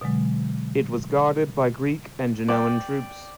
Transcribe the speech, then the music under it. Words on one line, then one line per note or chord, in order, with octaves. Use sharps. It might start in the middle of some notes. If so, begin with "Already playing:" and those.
It was guarded by Greek and Genoan troops.
B2 D3 F#3 G#3
D5 G5